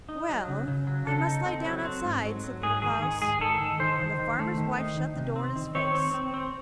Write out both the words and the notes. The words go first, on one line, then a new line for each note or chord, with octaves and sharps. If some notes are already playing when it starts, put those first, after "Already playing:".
'Well, I must lie down outside,' said Little Klaus; and the farmer's wife shut the door in his face.
D#4
F#3
C#3
C#3
F#3
C#3 A4
D#4
C4
F#3
C4
G#2
F#3
F#3
G#2 G#4
D#3 G#4
D#3 G#4
G#2 G#4
D#3 A4
D#3
D#3 C5
D#3
D#3
A3
D#3
D#4
D#3
C3
C4
D#3
C4 C#5
C4
C4
C4